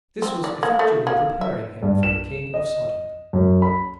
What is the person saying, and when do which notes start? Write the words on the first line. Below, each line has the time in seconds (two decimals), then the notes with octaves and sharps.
This was effectually preparing him for the king of Sodom.
0.22 C4
0.44 D5
0.63 A#3
0.79 A3
1.07 A#3
1.41 E5
1.83 G2
2.03 E7
2.54 D#5
3.33 F#2
3.62 B5